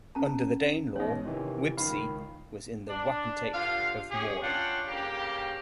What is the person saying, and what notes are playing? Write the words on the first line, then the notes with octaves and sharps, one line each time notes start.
Under the Danelaw Wibsey was in the wapentake of Morley.
C#4 A5 A#5
E2 G#2 D#4 C#5 D#5
C3 D#3 E3
C#2 D#3 F5 B5
D4
G2 D3 F4 F5
C#4 G4 G#4
C#4 D4 F4 F#5 G5
G2 C#3 A#3 G4